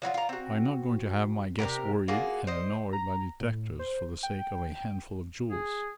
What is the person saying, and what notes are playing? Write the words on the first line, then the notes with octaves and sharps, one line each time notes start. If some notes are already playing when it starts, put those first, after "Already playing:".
I am not going to have my guests worried and annoyed by detectives for the sake of a handful of jewels.
F3 F#3 D#4 F4
F4 A#5
C4 F#4
C3 F3 G4 A#4
A#3 F4 F#4 G#4
C5 D#5
A#5
A2
C5
G5
G#4